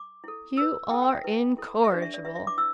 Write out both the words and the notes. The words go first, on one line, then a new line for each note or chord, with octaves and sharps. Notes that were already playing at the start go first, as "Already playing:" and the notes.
"You are incorrigible!"
Already playing: D6
E4 A4
E4 B4 E6
E4 A4 G5
G5
E5
E4 B4
E4 A4
E5
D4 G4 B4 D5
E5
D5
E4 B4 E5
E5
D6
E4 E6